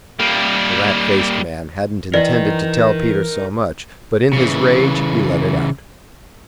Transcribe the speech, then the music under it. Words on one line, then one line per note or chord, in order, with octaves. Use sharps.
The rat-faced man hadn't intended to tell Peter so much, but in his rage he let it out.
G3 A#3
E3 A#4 D5 D#5
C#3 E3